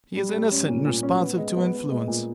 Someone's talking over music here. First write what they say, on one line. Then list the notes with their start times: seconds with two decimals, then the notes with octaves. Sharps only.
He is innocent and responsive to influence.
0.17 G3
0.33 G3
0.52 C#4
0.68 A#2
0.86 A#2
1.03 C#4
1.21 B3
1.37 G#3
1.56 B3
1.73 B3
1.90 G#3
2.08 A#2